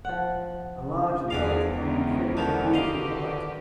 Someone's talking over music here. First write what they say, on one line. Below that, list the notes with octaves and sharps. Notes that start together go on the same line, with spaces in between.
A large adult can inflict a painful bite.
F3 F#5
E2 D3 F3 F#4 G#4 B4 D5 F5
D#3 E3 G#3 B3 C#4
D3 D#3 F3 B3
D#3 F#4 G4 B4 D#5 F5